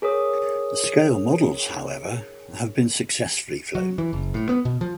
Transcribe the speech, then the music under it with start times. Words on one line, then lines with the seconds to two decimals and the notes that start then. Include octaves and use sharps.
Scale models, however, have been successfully flown.
0.02 G#4 A#4 C#5 D#6
3.75 F#3
3.98 E3
4.13 F#1
4.34 A2
4.49 B3
4.65 B2
4.81 F3